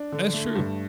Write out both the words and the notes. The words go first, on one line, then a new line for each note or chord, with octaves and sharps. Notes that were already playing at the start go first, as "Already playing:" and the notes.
That's true.
Already playing: D4
D3
A3
G2